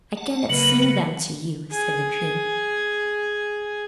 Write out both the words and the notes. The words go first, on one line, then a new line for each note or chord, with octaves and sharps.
"I cannot sing them to you," said the dream.
F#5 A5
C#3 F#3 A#3 B4 F#7
G#4 G#5